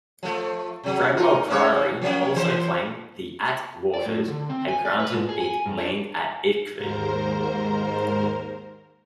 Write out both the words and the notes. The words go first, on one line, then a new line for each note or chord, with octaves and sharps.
Bradwell Priory also claimed the atte Waters had granted it land at Ickford.
F3 A3
C3 F#3
D#4 A#4
C#3 A#3 C#5
F3 A#3 C#4
E3 C5
D5
A2
D3
C4
G#5
D5
B4
G#2
G#4
G#5
G2
D4
D#2 G#2 A#4 C5 A#5